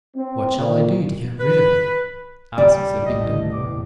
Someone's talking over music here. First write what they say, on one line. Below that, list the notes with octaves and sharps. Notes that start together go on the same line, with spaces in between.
"What shall I do to get rid of it?" asks a victim.
C4
A#2
B4
D#1 C#3 G3 C#4 D5
A1 G3 A3 D#5
E2 A2 C3 D6